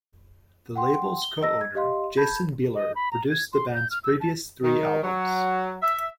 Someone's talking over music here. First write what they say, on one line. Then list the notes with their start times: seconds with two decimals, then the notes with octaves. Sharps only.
The label's co-owner, Jason Bieler, produced the band's previous three albums.
0.76 F#5 G5 C6
1.22 G7
1.42 D#5 E6 A#6
1.61 G#6
1.75 G4 D#5 F5 C6
2.17 A5 B5 G6 G#6
2.75 D#5
2.95 B5
3.12 A#5
3.30 G#6
3.53 C6
3.75 G6
3.91 F6
4.04 E6
4.20 A5
4.63 D#3
5.03 F#3
5.82 E5